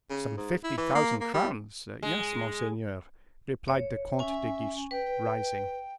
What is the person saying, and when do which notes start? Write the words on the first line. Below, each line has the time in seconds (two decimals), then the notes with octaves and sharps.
"Some fifty thousand crowns; yes, monseigneur," replied the Comte de Guiche, rising.
0.10 C#3
0.37 G#2
0.64 E4
0.78 E3
0.95 A#3
1.21 A#3
1.34 G3
2.03 D1 G#3
3.68 F#1 C#5
4.19 C#4 E5 G#5
4.91 B4 G5